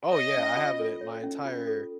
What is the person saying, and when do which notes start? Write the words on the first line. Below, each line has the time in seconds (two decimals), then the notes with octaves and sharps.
Oh, yeah. I have it my entire
0.12 C#5 D#5
0.35 C#4
0.57 F4
0.79 A4
1.01 C#5
1.23 C#4
1.46 F4
1.67 A4